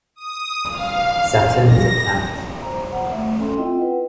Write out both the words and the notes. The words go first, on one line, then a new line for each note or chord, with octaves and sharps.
Saturn is a planet.
D#6
F5
A#6
C5 A#5
C5 F#5
A3 E5
C#4 A4 C6
C4 E4 F4 D#5 G5
B4 F#5